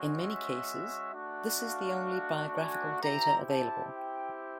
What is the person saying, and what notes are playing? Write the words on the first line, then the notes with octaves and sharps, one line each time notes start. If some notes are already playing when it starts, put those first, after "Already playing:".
In many cases, this is the only biographical data available.
Already playing: G#3 C#4 F#4
E5
A3 D4 F#4
F5
G#5
C4 E4 G4 A#5
A5
G5